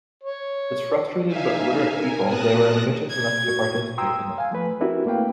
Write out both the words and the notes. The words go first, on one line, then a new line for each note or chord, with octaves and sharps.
As frustrated but literate people, they were ambitious enough to participate in it.
C#5
D#4 E5 F5 G#5
A#4 G#5
B2 A#4 A5 D#6 F#6 A#6
G#6
F#4
G5 A#5 C6 D#6 E6
F5 G#5
F3 A3 B4
C4 D4 E4 F#4 G4 A#4
A3 A#3 B4 F5 G5